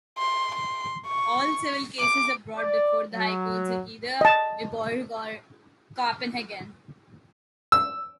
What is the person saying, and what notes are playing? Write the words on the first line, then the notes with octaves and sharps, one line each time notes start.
All civil cases are brought before The High Courts in either Viborg or Copenhagen.
C6
C6
C#6
D6
D5
F#3
D#5 A5
E6